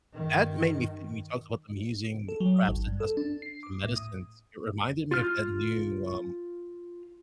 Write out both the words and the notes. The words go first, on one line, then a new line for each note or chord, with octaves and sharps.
That made me think when you talked about them using perhaps to test for some medicines, it reminded me of that new, um
G2 D#3
A4
F#3
G#1
G2
A4
D4
C7
D6
A2
D#6
F4 F6